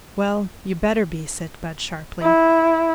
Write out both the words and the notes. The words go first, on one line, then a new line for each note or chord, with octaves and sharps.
"Well, you better be," said Budd sharply.
E4